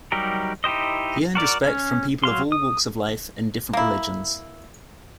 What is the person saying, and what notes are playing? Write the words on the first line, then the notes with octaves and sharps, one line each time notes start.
He earned respect from people of all walks of life and different religions.
F#3 G3 D#4 G4 A#4
D#4 E4 G4 C5 D#5
F#4 A#4 D5
C#4
F#3 F5 C6
D#6
A#3 E4